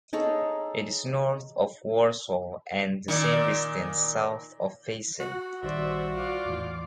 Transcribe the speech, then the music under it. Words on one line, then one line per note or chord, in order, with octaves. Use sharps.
It is north of Warsaw and the same distance south of Faison.
D#4 G#4 A4 C#5
A#2 D#3
F#4
A#1 D#3 G3 F#4 C5 D5 E5
F4 D5 F5 D6
E2 A2 E3